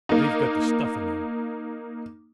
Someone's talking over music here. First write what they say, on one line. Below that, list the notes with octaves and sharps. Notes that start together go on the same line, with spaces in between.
They've got the stuff in them!
A#3 D#4